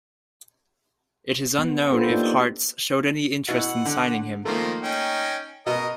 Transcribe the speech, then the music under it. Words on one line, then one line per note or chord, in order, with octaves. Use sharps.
It is unknown if Hearts showed any interest in signing him.
B3
D4 F4 G4 A4 B4 C5
A#3 D#4 G4 D5
B2 E4 F#5
D3
D#3 F3 A3 A#3 A#4
C#4 D#4 G5
B2 A#4 D#5